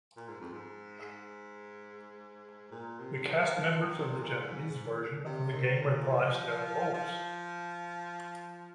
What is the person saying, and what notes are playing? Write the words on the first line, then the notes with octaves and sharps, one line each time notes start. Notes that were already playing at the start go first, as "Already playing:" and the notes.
The cast members of the Japanese version of the game reprise their roles.
A#2
G#2
F2
G#2
G#2
A#2
C3
D#3
F3
D#3
C3
A#2
G#2
G#2
C3
D#3
A#2
F3
F3